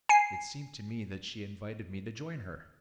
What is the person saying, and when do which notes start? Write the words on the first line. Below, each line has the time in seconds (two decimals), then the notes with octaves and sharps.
It seemed to me that she invited me to join her.
0.09 G#5 C7